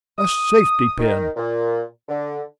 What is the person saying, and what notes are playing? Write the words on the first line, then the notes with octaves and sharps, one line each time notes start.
A safety-pin! ...
D#6
D#3
A#2
D3